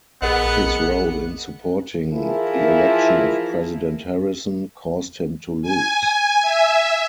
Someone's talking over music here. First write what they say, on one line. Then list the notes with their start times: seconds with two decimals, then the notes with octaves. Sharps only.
His role in supporting the election of President Harrison caused him to lose.
0.22 A#1 B3 G#4 A#4 D#5 F#5
2.13 E3 F3 E4 G#4 A#4
5.62 G#5
6.42 E5